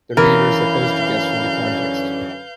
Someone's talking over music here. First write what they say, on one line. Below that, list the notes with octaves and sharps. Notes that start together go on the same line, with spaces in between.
The reader is supposed to guess from the context.
F#2 D3 E3 C#4 A#4 F5 G6